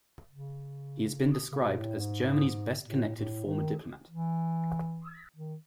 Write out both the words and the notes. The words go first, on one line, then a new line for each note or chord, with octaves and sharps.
He has been described as "Germany's best-connected former diplomat".
C#3
C#3
B2
A2
G#2
A2
A2
D#3
E3
D#3